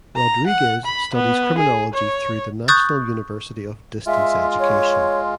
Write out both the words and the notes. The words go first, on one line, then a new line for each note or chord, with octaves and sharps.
Rodriguez studies criminology through the National University of Distance Education.
A#5
F#5
B5
B3
G#4
C#5
C#6 D#6 F#6 G6 A6
G#3 F4 E5
C#5